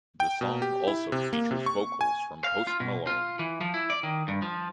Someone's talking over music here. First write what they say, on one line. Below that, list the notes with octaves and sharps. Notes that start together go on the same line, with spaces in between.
The song also features vocals from Post Malone.
G5
B2
G4
E4
C3
A#3
C3
C#6
G#5
F5
F4
B2
F4
E3
F3
E4
D5
D#3
G2
F3